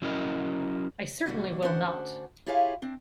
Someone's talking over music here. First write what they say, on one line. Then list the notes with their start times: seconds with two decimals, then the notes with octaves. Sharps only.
I certainly will not!
0.02 F#3 C#4 E4 A#4 D#5
1.26 B2 D3 G3 A#3 D4 F#4
1.62 D2 C#4 D4 C5 F#5
2.46 E4 F4 G4 G#4 C#5 F5
2.82 C4 D4